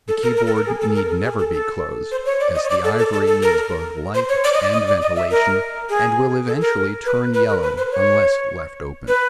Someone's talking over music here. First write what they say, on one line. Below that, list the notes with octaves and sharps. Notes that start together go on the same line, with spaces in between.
The keyboard need never be closed, as the ivory needs both light and ventilation and will eventually turn yellow unless left open.
A4
A#4
A#4
A4
A#4
G#4
A4
A#4
A4
G#4
A4
A4
C5
C#5
D5
D#5
C#5
D5
A4
A4
A4
A4
A#4
C5
C#5
D5
D#5
D5
D#5
D5
D#5
E5
A#4
G#4
A4
A#4
B4
B4
A#4
B4
C5
C#5
B4